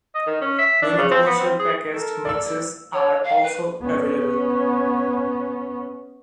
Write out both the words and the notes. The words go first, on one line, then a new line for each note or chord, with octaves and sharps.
Many commercial packaged mixes are also available.
D#5
D#3
C#4
E5
D4
C#3
C4
B3
C4
G#4
A4 A#4
D5 E6
C#5
F5
B4
B3 C#4